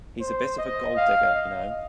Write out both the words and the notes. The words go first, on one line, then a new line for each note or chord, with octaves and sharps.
He’s a bit of a gold-digger you know.
C5
D#5
F5
D#5